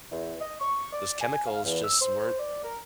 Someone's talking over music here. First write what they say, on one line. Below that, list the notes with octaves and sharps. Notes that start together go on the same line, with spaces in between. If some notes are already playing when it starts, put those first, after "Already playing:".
those chemicals just weren't
E2
D#5
C#6
D5
G#5
F5
E2
E6
C5
D5
A#4